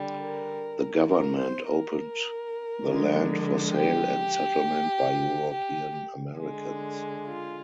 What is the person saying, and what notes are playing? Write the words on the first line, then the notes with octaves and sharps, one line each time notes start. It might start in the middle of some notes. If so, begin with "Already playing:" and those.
The government opened the land for sale and settlement by European Americans.
Already playing: D3 G3
A#4
A#4
C5
A#4
D3 F3 G#3
G4
G4
D3 G#3
F4